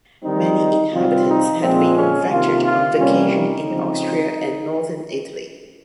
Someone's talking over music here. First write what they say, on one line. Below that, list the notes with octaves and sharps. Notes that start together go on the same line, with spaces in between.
Many inhabitants had been infected on vacation in Austria and Northern Italy.
D#3 G3 C4 D#4
C3 G3 C4 F4
D#4
A#2 F3 G#3 C4
C#4
C3 D#3 A#3 F4
F4
C3 G3 A#3 C#4
D#4
C#3 F3 G#3 C4